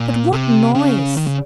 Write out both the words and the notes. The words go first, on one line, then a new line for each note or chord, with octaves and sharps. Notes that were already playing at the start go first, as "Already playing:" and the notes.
But what noise!
Already playing: A#2
C3
C#3
D#3
C#3